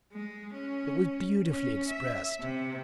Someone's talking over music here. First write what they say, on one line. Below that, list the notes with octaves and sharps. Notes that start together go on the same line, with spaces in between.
It was beautifully expressed.
G#3
C#4
C#4
E5
C3